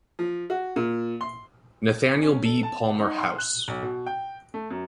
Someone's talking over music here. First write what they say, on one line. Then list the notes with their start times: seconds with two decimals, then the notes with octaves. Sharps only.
Nathaniel B. Palmer House.
0.19 F3
0.50 F#4
0.76 A#2
1.21 C6
2.23 C#4
2.45 A4
2.63 A5
3.00 D#4
3.18 C6
3.38 F#6
3.68 B1
3.83 B2
4.06 G5
4.54 A3
4.70 F#2